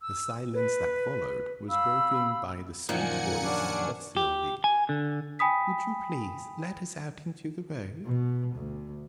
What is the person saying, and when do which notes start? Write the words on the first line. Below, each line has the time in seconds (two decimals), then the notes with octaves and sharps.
The silence that followed was broken by the sweet voice of Sylvie. "Would you please let us out into the road?"
0.01 E6
0.53 B4
1.69 F5 B5 E6
2.89 F#2 A#2 D#3 F3 A#3 F#5 G#5 C#7
3.43 G3 C#4 D4
4.17 G4
4.64 G#5
4.89 D3
5.39 G5 G#5 B5 D#6 B6
8.06 B2
8.56 D2